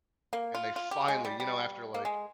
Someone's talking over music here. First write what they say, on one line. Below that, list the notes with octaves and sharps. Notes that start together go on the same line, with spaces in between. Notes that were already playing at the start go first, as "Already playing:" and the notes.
and they finally, you know, after like,
A#3
F4
F4
G4
G#3
G3
G3
A#3
G#3